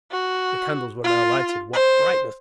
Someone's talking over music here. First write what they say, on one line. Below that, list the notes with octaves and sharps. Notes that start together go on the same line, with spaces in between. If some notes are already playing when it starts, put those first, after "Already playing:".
The candles were now lighted--what brightness!
F#4
F4
C5